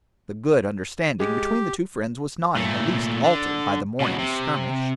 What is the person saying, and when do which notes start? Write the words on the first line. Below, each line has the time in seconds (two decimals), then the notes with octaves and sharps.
The good understanding between the two friends was not in the least altered by the morning's skirmish.
1.20 G#3 G4
2.56 A#2 A3
3.24 D3
4.00 C#2 B2
4.19 C3